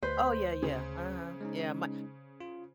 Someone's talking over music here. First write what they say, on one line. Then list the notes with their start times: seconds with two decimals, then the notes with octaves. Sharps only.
Oh yeah, yeah, uh-huh. Yeah, my
0.03 D2 B4 C5
0.62 C#3
1.41 G#3 C#4 D#4
2.40 F4